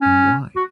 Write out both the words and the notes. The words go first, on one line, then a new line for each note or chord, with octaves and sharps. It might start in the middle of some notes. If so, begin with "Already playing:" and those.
And why?
C#4
F#4